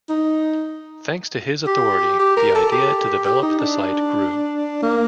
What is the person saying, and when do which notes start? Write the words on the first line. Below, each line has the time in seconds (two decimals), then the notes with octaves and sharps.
Thanks to his authority the idea to develop the site grew.
0.09 D#4
1.67 G4
2.19 G4
2.37 A#4
2.55 A4
2.72 G4
3.25 G4
3.42 D#4
3.59 D4
4.83 A#3